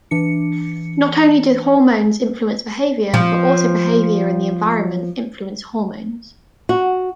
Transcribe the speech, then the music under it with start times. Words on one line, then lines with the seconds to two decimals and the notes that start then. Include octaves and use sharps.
Not only do hormones influence behavior, but also behavior and the environment influence hormones.
0.11 E3 D4 C#7
3.14 F3 C4
6.69 F#4